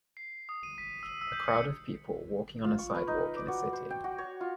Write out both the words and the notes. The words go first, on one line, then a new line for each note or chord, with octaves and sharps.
A crowd of people walking on a sidewalk in a city.
C7
D#6
D#7
B6
E6
E6
G6
C#7
F4
C#6
B4
D#4
D5
F#4
C5
G5
F#4
C#5
F4